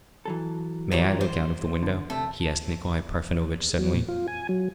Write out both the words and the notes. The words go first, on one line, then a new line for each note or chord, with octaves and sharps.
"May I look out of the window?" he asked Nikolay Parfenovitch, suddenly.
E3 F#3 A4
A#2 G3 C#5
C5
D3
C3 A3
F#3
A#2
F4
G#5
F#3